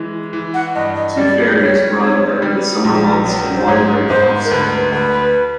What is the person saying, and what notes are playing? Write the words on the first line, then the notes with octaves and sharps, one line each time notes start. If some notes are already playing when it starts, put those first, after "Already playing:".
Two ferries run during the summer months and one during the off-season.
Already playing: E3 G#3
E3
F#5
G2 D#5
D#5
G3 D5
G3 C#5
C4
G3
A#1
F#3
C5
G#2 C#5
G#2 C5
A#4
D2 B4
D2 B4